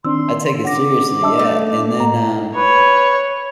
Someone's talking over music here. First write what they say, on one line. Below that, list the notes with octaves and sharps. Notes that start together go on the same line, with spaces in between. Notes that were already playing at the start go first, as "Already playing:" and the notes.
I take it seriously, yeah, and then, um
D#3 C4 D4 C6 E6
F#5 D6 A#6
D4 D#5 E5 A5 E6
A3
A2 A#5
B4 C#5